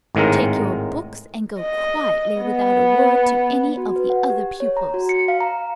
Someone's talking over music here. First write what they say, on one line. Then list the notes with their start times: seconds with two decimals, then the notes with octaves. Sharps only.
Take your books and go quietly without a word to any of the other pupils.
0.15 G#1 A2 D#3 G#3 A#4
1.61 D#5
2.42 B3
3.77 F#4
3.96 B4
4.10 F#5
4.30 G4
4.60 C#5
4.77 A#5
4.94 F#4
5.09 C#7
5.28 F5
5.41 A#5